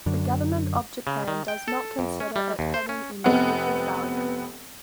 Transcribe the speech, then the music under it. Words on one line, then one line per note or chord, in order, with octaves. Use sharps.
The government of Japan does not consider it having any crucial value.
F#2 D3
C#3
D#3
G5
A4
F2
C#4
G3
D#2
C5
C#4
F1 B3 C4 F#5